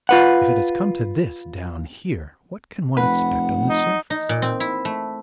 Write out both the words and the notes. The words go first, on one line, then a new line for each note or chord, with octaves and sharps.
If it has come to this down here, what can one expect on the surface?
F4 B4 F#5
F1 B4 F#5
D#4
D#4
A#2
C4
E4
A3